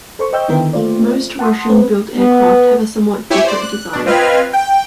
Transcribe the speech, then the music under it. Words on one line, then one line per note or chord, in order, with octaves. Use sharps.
Most Russian-built aircraft have a somewhat different design.
A4 C5 C#6
C5 D#5 G5 E6 G6
D3 D#3 B3 E4 A#4
A3 A#3 F4 C5 D5
F#5 A5 C6 D#6
B3 C4 B4 C5
B3
E4 G4 C#5 E5 G#5
C5 D5
F#6
B2 D4
C4 F4 B4 D#5 F6 G#6
G5